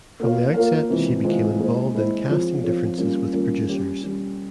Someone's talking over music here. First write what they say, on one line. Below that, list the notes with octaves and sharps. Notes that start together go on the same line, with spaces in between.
From the outset she became involved in "casting differences" with producers.
A#3 F4 A#4 C#5 F5
A#3 F4 A#4 C#5 F5
C3 E3 G#3 C4 F4
C3 E3 G#3 C4 F4
A#2 G#3 E4 G#4 C5
A#2 G#3 E4 G#4 C5
F3 C4 F4 G#4 C#5
F3 C4 F4 G#4 C#5
G3 A#3 C#4 F4
G3 A#3 C#4 F4
G3 C#4 G4
G3 C#4 G4